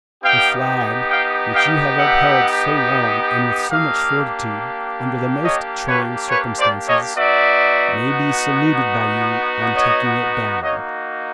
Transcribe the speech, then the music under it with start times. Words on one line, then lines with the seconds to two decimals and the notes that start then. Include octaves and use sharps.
The flag which you have upheld so long and with so much fortitude, under the most trying circumstances, may be saluted by you on taking it down.
0.23 B3 D#4 G4 F5 G5
1.09 F5 G5
1.53 F5 G5
1.96 E5 F#5
3.69 A#3 D4 G4 D#5 F5
5.42 C#5 D#5
5.86 B4 C#5
6.29 B4 C#5
6.57 C5 D5
6.87 C#5 D#5
7.15 B3 D#4 F#4 D5 E5
9.75 C#5 D#5
10.61 A#3 D#4 F#4 C#5 D#5